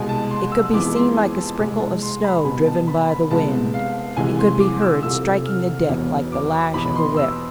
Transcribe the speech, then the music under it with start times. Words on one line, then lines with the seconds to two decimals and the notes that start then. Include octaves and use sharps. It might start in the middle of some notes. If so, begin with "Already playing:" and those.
It could be seen like a sprinkle of snow driven by the wind, it could be heard striking the deck like the lash of a whip.
Already playing: C2 B2 G#3 G#5
0.09 A5
0.30 C6
0.52 E6
0.73 F2 E3 G#3 B3 D6
0.95 C6
1.17 G#5
1.38 A5
1.59 C2 B2 G#3 G#5
1.80 A5
2.02 C6
2.24 B5
2.45 C2 B2 B3 G#5
2.66 A5
2.88 B5
3.10 B5
3.30 C2 C3 G#3 B3 A5
3.74 F5
4.17 C2 C3 E3 G#3 G#5
4.39 C6
4.60 D6
4.82 E6
5.03 C2 C3 F3 A3 E6
5.46 F6
5.88 E1 E2 B2 B3
6.32 D6
6.74 E2 B2 B3 B5
6.95 C6
7.17 E6